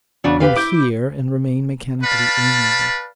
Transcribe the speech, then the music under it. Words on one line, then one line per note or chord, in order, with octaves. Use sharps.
You hear, and remain mechanically amiable.
E2 C#3 D4 F#4
G4 B4 F5
E4 D6 G6
B4 D5 F5 A5 B5